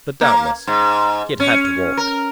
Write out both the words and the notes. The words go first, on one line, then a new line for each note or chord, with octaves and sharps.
But, doubtless, he had had to walk.
A#3
G#2
C#4
A#4